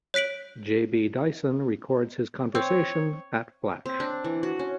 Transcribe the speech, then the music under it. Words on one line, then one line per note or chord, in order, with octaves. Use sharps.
J B Dyson records his conversion at Flash.
C#5 F#6 B6 D7 F#7
C4 C#5
C4
D4
E3
F#4
C#4